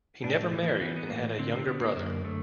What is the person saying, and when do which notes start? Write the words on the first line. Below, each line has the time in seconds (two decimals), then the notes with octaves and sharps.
He never married and had a younger brother.
0.24 A2 D4
0.43 A3
0.53 E3
0.63 A#3
0.81 E3 B3
0.96 B3
1.10 A2 A#3
1.39 D3 C4
1.53 C4
1.67 D3 B3
1.81 A#3
1.96 F#2 A#3
2.24 D3 A3